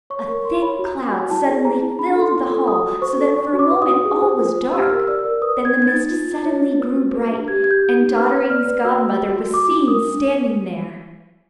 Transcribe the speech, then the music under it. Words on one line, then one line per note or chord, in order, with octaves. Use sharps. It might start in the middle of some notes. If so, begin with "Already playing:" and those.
A thick cloud suddenly filled the hall, so that for a moment all was dark. Then the mist suddenly grew bright, and Dotterine's godmother was seen standing there.
C#5 C#6
A#4 C#6
A#4 C6
C#5 B5
F#4
A#5
F#4
G#5
F#4
E4 A5
G#4
G#4 A#5
E4
D4 B5
A4
C6
F4
A4
A4 D#6
F#4
C5 C#6
A4
D4 C#6
F#4
D6
B4
D#6
F#4
G#4
C5
F4
C5
G4 E6
F6
A#4 E6
D5 E6
A#4
B4 D#6
B4
G#6
D#4
G#6
A6
D#4
F4
F4
C#5
F4
B4
F#4
B4
D4
G4 G#6
G4 G#6
G6
G4
D#4
B4 F6
B4
D5 F6
B4
F#4 E6
F#4
F#4
F#4
F#4 D6
D4
A#4 D#6
D4